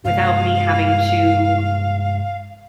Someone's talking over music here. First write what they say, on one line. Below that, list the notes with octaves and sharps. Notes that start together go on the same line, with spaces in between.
without me having to,
G2 C3 G#3 F5